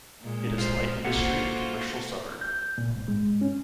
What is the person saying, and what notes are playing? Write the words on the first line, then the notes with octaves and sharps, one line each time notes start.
It is light industry and commercial suburb.
A#2 G#3
F4 C5
A#3 F4 F#4 A4 C5 F#5
G6
A#2
G#2
G#3
C#4